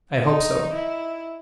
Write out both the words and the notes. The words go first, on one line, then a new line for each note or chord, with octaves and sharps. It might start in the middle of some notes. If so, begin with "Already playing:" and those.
"I hope so."
D#4
E4